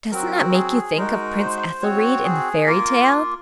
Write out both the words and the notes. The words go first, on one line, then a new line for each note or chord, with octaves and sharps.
Doesn't that make you think of Prince Ethelried in the fairy tale?
F#3 C4 F#4 A#4
G#4
G#3 D#4 F#4 A#4
C5
C4 F#4 C#5
G#4
A#3 F4 A#4